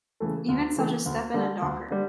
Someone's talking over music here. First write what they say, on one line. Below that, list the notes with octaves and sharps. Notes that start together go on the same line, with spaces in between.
Even such as Stepan and Docker.
C#3 E3 A3
D2
C#3 E3 A3
D2
D3 G3
D2
D3 G3